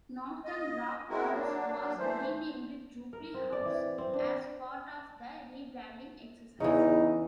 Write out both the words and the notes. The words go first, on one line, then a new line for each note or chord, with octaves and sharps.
Northern Rock House was renamed Jubilee House as part of the rebranding exercise.
D#5
G#3 C4 E4 F#4 A#4
F#3 A#3 D4
E3 A3 C5
A#4
C4
D5
E3
C4
D4
E2 C#3 E3 D#4